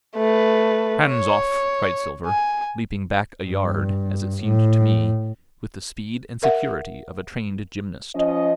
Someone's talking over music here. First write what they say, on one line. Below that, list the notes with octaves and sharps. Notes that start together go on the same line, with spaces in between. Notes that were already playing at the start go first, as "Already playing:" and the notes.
"Hands off!" cried Silver, leaping back a yard, as it seemed to me, with the speed and security of a trained gymnast.
A3 B4
C#5
G#5
G2
A2
A#4 E5 F#5
F3 C#4 D#5